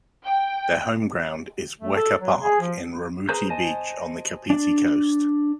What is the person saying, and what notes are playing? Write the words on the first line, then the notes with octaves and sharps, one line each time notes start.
Their home ground is Weka Park in Raumati Beach on the Kapiti Coast.
G5
A3
A4
F#3
G#4
F3
G#4 B4 C5 A#5 G6
C5 D#5 G#5 A5
D4 D5